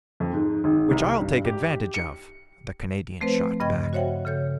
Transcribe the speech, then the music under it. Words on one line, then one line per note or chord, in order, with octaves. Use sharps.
"Which I'll take advantage of," the Canadian shot back.
F2
G#2
G#1
C2
G2
G4
G4
C#7
F3 A3 C4 B4 C5
G2 C#3 D#5 G5 C#6 G#6
F#4 C5 C#5 E5 F#5 G5
C#3 A4 C#5 G6